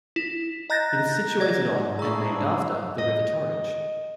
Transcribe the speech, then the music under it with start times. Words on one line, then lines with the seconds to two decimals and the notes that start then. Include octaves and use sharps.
It is situated on and named after the River Torridge.
0.16 E4
0.70 D#5 A#5 F#6 G6 A6 A#6
1.40 D5 G#6 A#6
1.99 D4 E4 G#4 A#5 C#6 E6
2.98 D#5